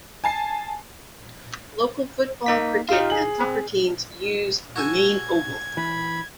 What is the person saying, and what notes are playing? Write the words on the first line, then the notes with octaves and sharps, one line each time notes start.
Local football, cricket and soccer teams use the main oval.
G#5 A5 C7
A#3 D#4 B6
D#4 F4 G4 F5
G#4 F#7
C4
F#4 A4 G#5 G#6
E3 B5